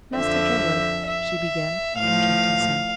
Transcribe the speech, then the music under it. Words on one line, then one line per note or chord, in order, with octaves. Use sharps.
"Master Gerard," she began--and checked herself.
F2 D3 F3 E5
E5
A2 F3 F5